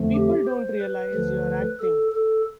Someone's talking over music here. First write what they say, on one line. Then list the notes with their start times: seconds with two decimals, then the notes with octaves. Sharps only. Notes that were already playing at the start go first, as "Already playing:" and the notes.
People don't realize you're acting.
Already playing: F2 D3 F3 A3
0.15 G4
0.47 C5
0.80 B4
1.13 D2 D3 F3
1.80 A4
2.12 A4